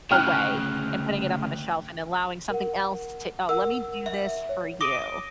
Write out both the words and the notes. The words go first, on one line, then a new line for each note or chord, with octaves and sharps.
away and putting it up on the shelf and allowing something else to, "Oh, let me do this for you."
D2 C#3 G5 F6 F#6
A#4 F#5
A#4 F#5 E6
E5
C#5
D6 D#6 A#6 D7 D#7